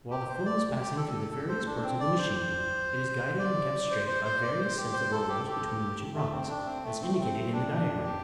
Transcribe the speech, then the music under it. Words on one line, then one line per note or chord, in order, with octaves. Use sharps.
While the film is passing through the various parts of the machine it is guided and kept straight by various sets of rollers between which it runs, as indicated in the diagram.
G4
C5
D5
G4
A4
A4
A4
C5
D4
C4
D5
C5
D5
C5
C5
C5
D5
C5
G4
C5
A4
G4
A4
G4
A3
C4
D4
C4
A3
C4
A3
C4
D4
G4